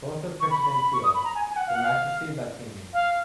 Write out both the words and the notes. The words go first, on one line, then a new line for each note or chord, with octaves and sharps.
Both are printed in Keil, "Grammatici Latini".
C#6
B5
B5
B5
B5
C#6
D#6
B5
A#5
G#5
G#5
F#5
F5
F#5
F5
F5